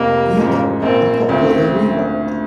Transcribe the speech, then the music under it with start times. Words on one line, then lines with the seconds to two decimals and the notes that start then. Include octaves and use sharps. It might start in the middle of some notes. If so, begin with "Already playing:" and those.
You know, a potboiler rewrite.
Already playing: F1 F2 C3 A#3
0.36 A1 G#2 F3
0.82 A#1 A#2 F3 A#3 C4
1.28 D2 C#3 F3 A3 C4